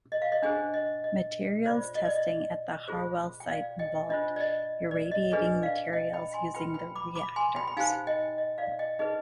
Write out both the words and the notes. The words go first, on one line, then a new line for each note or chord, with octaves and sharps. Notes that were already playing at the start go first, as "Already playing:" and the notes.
Materials testing at the Harwell site involved irradiating materials using the reactors.
D#5
F5
D#5
D4 G#4 C5 D#5 G5
D#5
D#5
F4 C5 D5
D#5
D5
D#5
F4 G#4 C5
G5
D5 F5
D#5 G5
D4 F4 C5 D#5
D5
D#5
D5
D#5
D4 G#4 B4 D#5
D5 F5
D#5 G5
G5 B5
G#5 C6
F4 B4 G5 B5
G5 B5
B5 D6
B5 D6
G#5 C6
G5 B5
B5
D#4 G4 C5 F5 G#5
D#5 G5
D#5
D5 F5
D#5 G5
D#4 G#4 B4 D#5